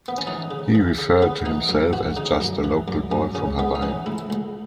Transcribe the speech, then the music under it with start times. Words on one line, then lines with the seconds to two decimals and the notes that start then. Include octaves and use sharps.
He referred to himself as just a local boy from Hawaii.
0.08 B3
0.18 C#4
0.27 E3 D#4
0.51 C#3
0.75 E3
0.98 C#3
1.22 C#3 B3
1.46 E3 D#4
1.69 F#2
1.93 E3 F#4
2.17 C#3 D#4
2.40 F#2
2.64 E3
2.88 F#2
3.11 F#2 C#4
3.35 C#3 C#4
3.59 G#3 B3
3.75 D#4
3.82 E3 C#4
4.06 C#2 E4
4.30 C#2